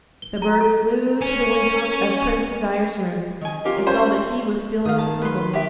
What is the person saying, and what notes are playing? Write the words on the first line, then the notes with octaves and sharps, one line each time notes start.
The bird flew to the window of Prince Desire's room, and saw that he was still insensible.
G7
A#5
A4
C#4
D#3 G#5
F4 G4 A#4
C#4 C5
D#3 F5 D#6
A5
B4 C6
G4 E5